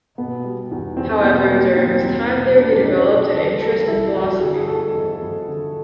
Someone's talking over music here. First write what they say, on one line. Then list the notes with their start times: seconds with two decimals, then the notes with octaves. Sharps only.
However, during his time there he developed an interest in philosophy.
0.18 B2 B3
0.45 G3
0.71 E2
0.97 E2 C4
1.23 B2 B3
1.50 G3 A#3
1.77 E2 C4
2.03 E2
2.29 B2
2.56 G3 D4
2.69 C#4
2.75 D4
2.82 E2 D#4
3.09 E2 G#4
3.35 D3 A4
3.61 G3 A4
3.88 F2 E4
4.14 F2 F#4
4.41 D3 G#4
4.67 G3 A4
4.94 F2
5.21 F2
5.47 D3